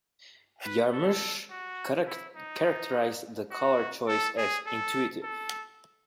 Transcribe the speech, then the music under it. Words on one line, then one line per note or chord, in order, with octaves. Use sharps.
Jarmusch characterized the color choice as "intuitive".
B4
A4
F#4
E4
D#4
F#4
A4
G#4
A4
A4